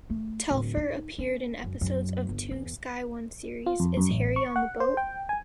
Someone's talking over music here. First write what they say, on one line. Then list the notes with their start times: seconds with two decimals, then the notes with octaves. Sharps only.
Telfer appeared in episodes of two Sky One series: Is Harry on the Boat?
0.10 A3
0.51 D1
0.77 D#4
1.19 C#4
1.64 F#2
1.81 F#2
2.29 G1
2.51 E2
3.66 F4
3.80 F2
3.97 F#2
4.11 A1
4.36 C#6
4.56 F#5
4.80 C5
4.97 G5
5.29 G#5